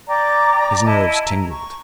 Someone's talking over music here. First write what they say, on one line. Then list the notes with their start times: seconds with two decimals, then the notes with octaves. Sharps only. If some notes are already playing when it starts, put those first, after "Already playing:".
His nerves tingled.
0.08 D5 G5 A#5 D6
0.85 E4 D#5 A5
1.25 A#5
1.51 C#6